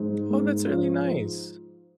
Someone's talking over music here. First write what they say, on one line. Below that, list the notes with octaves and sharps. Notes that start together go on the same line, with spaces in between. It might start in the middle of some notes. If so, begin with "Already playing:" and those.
Oh, that's really nice.
Already playing: G#2
G#2
F3